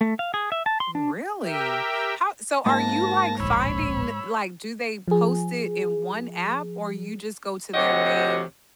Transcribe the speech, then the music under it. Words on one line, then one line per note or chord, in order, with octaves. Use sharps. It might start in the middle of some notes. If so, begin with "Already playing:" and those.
Really? How so are you, like, finding th like, do they post it in one app? Or, you just go to their main,
A3
F5
G#4
E5
A5
C6
D4
G4 A#4 E5 G5
G#2 A#3 A5 A#6
D1 A#1 C#5 B5 E6
F3 G#4
D2 C3 F#4 G4 C#5 D#5